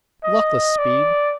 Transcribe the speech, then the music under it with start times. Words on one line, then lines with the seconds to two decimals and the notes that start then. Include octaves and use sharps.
Luckless speed!
0.24 D#5
0.79 D5